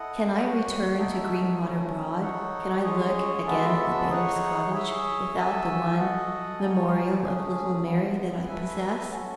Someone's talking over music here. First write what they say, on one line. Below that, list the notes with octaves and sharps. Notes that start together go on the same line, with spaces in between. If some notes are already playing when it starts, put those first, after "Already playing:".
Can I return to "Greenwater Broad," can I look again at the bailiff's cottage, without the one memorial of little Mary that I possess?
Already playing: E4 A4 D#5 F#5
F#4 C#5 F#5
D#4 F#4 A4 E5
A3 C#4 E4
D#4 A4 C#5 F#5
G#3 C#4 G#4 C#5
G#3 B3 F#4 A4 E5
D#4 G#4 C#5 F#5
E4 G#4 C#5 E5
F#4 A4 E5 G#5
F#4 A4 D#5 F#5
D#4 F#4 C#5 G#5
A3 C#4 G#4
G#3 B3 E4
A3 E4 B4 E5 G#5
C#4 F#4 A4